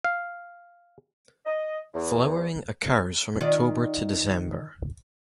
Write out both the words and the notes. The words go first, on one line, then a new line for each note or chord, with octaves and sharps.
Flowering occurs from October to December.
F5
D#5
E2
D#3 F4 D5